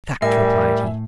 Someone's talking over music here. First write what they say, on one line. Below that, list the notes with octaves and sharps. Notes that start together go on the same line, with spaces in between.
"Fact!" replied he.
A2 G3 A#4 E5 G#5